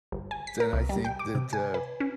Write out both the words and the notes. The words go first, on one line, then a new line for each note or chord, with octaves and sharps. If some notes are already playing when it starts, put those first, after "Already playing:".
then I think that, uh
G1
G#5
B6
A#4
C2
G3
G5
D6
C3
G#5
B4
C#4